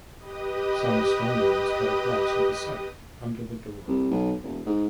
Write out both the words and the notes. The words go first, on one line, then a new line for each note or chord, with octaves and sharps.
Some Estonians cut a cross with a scythe under the door.
G4 B4 D#5 D#6
C2
B1
E1
G#2